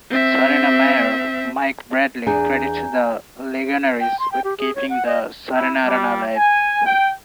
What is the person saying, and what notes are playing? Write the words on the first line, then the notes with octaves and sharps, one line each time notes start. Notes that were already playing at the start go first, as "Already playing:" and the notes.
Sarnia Mayor Mike Bradley credits the Legionnaires with keeping the Sarnia Arena alive.
C4 E5
E2 D4 G#4 G#5 A#5 G6
G5
C6
G5
G4
G#4
C#5
F#5
D#5
E4
G3
G#5
G5